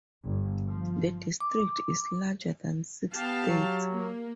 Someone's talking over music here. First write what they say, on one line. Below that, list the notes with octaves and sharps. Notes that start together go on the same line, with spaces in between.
The district is larger than six states.
G1
F3
D6
B3 G4 F5 A5
F#3
A#3